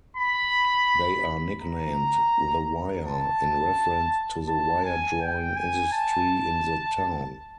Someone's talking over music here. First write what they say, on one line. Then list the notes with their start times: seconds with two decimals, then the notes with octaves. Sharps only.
They are nicknamed "The Wire" in reference to the wire-drawing industry in the town.
0.17 B5
1.61 A#5
3.05 A5
4.49 A5
4.85 G#5
5.21 G5
5.56 G#5
5.93 A5